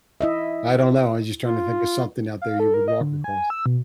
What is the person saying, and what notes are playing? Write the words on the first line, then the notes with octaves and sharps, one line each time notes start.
I don't know, I was just trying to think of something out there you would walk across.
E4 D#5 E5
F4
F5
A4
A#4
D#5
D3
G#5
E6
B2